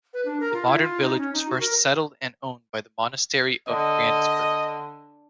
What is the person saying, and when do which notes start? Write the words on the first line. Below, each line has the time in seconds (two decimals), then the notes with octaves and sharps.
The modern village was first settled and owned by the Monastery of Frienisberg.
0.14 B4
0.25 D4
0.40 A#4
0.53 F4
0.66 E4
0.80 F4
1.01 D#4
1.18 C#4
1.33 D#4
1.48 F#4
1.60 A#4
3.68 D3 D#5